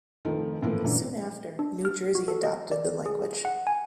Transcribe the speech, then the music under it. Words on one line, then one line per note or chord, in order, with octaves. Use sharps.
Soon after, New Jersey adopted the language.
F1 D#3 F3 A3
A2 E3 F3 A3 A#3
F#2 A#2 D3 E3
D4
F6
F#4
A4
D#5
D5
G#4
F#5
G#5